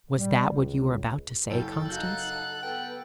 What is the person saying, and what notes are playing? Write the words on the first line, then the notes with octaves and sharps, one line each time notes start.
"Was that what you were about to say, Constance?"
G3
C#2
F#1 A4 G5
D#4 F#4 F5 F#6 G6
B3 A4 G5